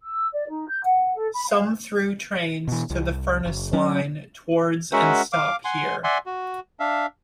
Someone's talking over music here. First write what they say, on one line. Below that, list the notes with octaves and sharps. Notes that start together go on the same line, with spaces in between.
Some through trains to the Furness Line towards and stop here.
E6
D5
D#4
G6
F#5
A4
B5
F5
B2 E3
C2
F#1
F#3 C#4
G#3 C#4 F#4 A#4 E5 F#5
F5 D6
F#5 G#5 C6
D5 E5 F#5 G#5 C6
F#4
D4 E5 F5